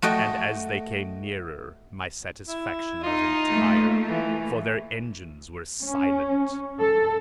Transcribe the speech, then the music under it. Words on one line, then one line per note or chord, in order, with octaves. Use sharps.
And as they came nearer, my satisfaction was entire; for their engines were silent!
A3 F#4 D#5 G5
E4
D#4 F4 D#5
A3 A#3
E3
C#4
A4